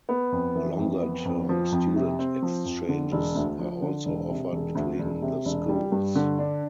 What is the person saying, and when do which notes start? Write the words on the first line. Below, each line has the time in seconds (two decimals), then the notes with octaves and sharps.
Longer-term student exchanges are also offered between the schools.
0.09 B3
0.32 F2
0.55 E3
0.79 F2
1.02 B3
1.25 F2
1.49 F3
1.72 F2
1.96 C3
2.19 C4
2.42 F3
2.65 F2
2.89 D3
3.12 E1
3.35 D2
3.59 F3
3.82 D3
4.05 E1
4.29 C3
4.52 E1
4.75 D2
4.98 E1
5.22 C3
5.45 E1
5.69 G3
5.92 G2
6.15 D3
6.39 D4